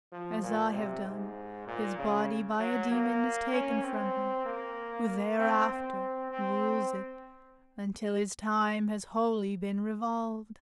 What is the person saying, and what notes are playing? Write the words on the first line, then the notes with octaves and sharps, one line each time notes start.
As I have done, his body by a demon Is taken from him, who thereafter rules it, Until his time has wholly been revolved.
F3
A#2
C3
G#2
A#2
C#3
F#3
A#3
C#4
C4
A#3
A#3
C4
C4
C4